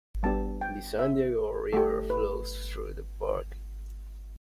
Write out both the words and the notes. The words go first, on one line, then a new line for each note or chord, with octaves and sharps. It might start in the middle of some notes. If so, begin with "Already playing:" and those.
The San Diego River flows through the park.
G3 B3 D4 G4 A5
G5
E5
A3 G4 A4
B4